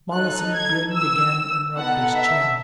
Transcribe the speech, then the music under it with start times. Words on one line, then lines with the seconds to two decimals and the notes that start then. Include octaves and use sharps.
Mollison grinned again and rubbed his chin.
0.13 D#4 A4 F#6
0.54 G#6
0.94 E6
1.75 B3 D#4 A4 F#5
2.16 E5